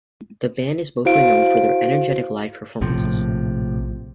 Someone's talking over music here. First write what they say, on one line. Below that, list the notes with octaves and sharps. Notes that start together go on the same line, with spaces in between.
The band is mostly known for their energetic live performances.
E4 F#4 C5 F5 D7
A#1 A2 C3 F3